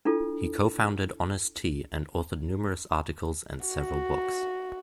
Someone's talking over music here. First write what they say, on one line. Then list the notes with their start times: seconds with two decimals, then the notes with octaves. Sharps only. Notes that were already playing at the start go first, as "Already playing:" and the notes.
He co-founded Honest Tea and authored numerous articles and several books.
0.05 D4 E4 F4 A4
3.66 F#4